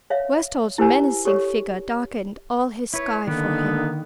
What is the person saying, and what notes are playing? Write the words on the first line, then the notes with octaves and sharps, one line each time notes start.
Westall's menacing figure darkened all his sky for him.
C#5 E5 F5
E4 G4 A#4 C5 G#5
G4 A4 C#5 C#6
E4 B4 C#5
D3 D#3 A#3 B3 D#4